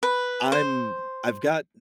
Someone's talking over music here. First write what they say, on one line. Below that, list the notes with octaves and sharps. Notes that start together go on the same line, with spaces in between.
I'm I've got
B4
C5